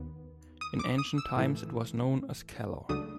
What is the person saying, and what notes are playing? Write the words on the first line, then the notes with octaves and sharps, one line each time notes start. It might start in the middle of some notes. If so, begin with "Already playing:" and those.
In ancient times it was known as Calor.
Already playing: D#2 B3
D#6
D6
D#6
E6
A2 E3 A3
C#2 C#3 F#3 A3 D4 D#6